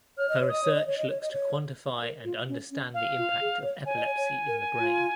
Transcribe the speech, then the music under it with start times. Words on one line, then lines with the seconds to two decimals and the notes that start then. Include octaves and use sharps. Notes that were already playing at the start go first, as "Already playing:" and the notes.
Her research looks to quantify and understand the impact of epilepsy in the brain.
0.18 C#5 F6
0.29 D#5
0.41 C#5
0.49 D#5 D#6
0.64 C#5
0.75 D#5
0.87 C#5
0.98 D#5
1.09 C#5
1.22 D#5
1.33 C#5
2.02 A#4
2.25 F4
2.48 C#4
2.71 C#4
2.94 F5
3.18 F4
3.41 G#4
3.63 C#5
3.86 C#5 G#5
3.96 D#5
4.06 C#5
4.17 C#5
4.48 A#4
4.79 F4